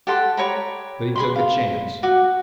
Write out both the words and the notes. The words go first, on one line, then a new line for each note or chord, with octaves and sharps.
But he took a chance.
G4 A4 F#5 C6
G4 C#5 A#5 B5
G#4 B5 C6
F5
F#4 D6